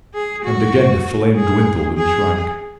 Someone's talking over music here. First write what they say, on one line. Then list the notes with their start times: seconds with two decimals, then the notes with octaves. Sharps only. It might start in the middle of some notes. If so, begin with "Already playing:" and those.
And again the flame dwindled and shrank.
0.14 G#4
0.45 F#4
1.36 G#4
1.97 G#4